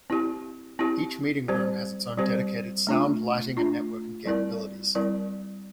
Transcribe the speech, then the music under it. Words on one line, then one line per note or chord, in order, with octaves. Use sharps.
Each meeting room has its own dedicated sound, lighting and networking capabilities.
C4 E4 G4
C4 E4 G4
G3 C4 G4 C5
G3 C4 G4 C5
A3 D4 F4
A3 D4 F4
G3 C4 E4 A#4 D5
G3 C4 E4 A#4 D5